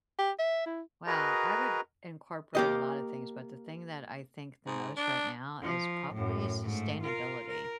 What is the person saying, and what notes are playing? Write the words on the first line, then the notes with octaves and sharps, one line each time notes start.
Well, I would incorporate a lotta things, but the thing that I think the most right now is probably sustainability.
G4
E5
E4
F#4 G#4 A#4 B4 D#5 A#5
A#3 G4 D#5
G#2
D4
F3
F#2 A2
G#2 A3
F4 A#4
A#4